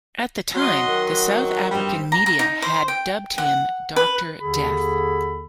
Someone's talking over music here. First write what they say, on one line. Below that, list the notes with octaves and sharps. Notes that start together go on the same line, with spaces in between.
At the time, the South African media had dubbed him "Dr Death".
F#3 D#5 F#5 C6
D#3
C4
G2 G3 C4 G4
A#5
A#5
D#4
C5
G5
F#5
B4
D#2 D3 G#4 A4 B5